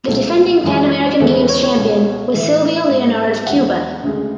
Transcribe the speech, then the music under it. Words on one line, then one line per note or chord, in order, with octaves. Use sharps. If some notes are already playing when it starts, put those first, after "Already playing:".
The defending Pan American Games champion was Silvio Leonard of Cuba.
C#2 B2 F#3 A3 A4
F#2 E3 G#3
E2 C#3 E3 G#3 A4
B4
C#5
C#5
C#2 B2 A3
A2 E3 A3 E5
G#2 G#3
E2 D3 G#3 F#5
D2 C#3 G#3